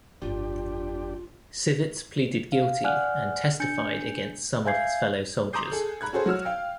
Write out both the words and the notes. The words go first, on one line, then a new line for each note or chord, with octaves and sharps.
Sivits pleaded guilty and testified against some of his fellow soldiers.
G1 F2 D4 F4 G4
F5
D5 F#5 G#5 F6 F#6
D4 G#5 G6 C#7
E5 F5 G#5 G6 G#6 C7
A#5 C6 D6 D#6 G6 C7
G#4 A4 F#7
A#5 B5 F#6 G#6
C#4 F#4 G#4 A4 C5
F#3 F#4 E6 F6
F5 G5